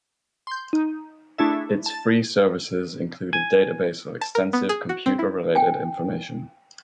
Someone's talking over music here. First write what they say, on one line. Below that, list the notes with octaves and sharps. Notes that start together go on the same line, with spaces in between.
Its free services include a database of extensive computer-related information.
C6 G6
D#4
A3 D4 E4 G#4 A4 E5
A5 A6
G#5
A5
A#4
B3
G#4
F#4
C4
E4
G5 G#5